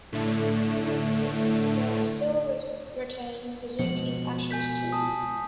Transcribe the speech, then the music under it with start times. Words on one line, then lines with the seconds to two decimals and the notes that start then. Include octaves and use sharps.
Knowing this, the girls still return Kazuki's ashes to him.
0.13 A2 D3 A3
3.79 B2 F3 G#3 C#7 F#7
4.51 G#5 G6 B6
4.92 A5 D#6